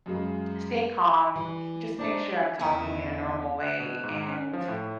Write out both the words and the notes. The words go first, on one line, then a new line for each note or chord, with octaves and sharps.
stay calm, just make sure I'm talking in a normal way, and
F#2 C#3 G#3
E3 G3
G#3 D4 D#4 C5 A5
E2 C#3 D#4 E4
F#6
B2
G#2
C#4
F3
A2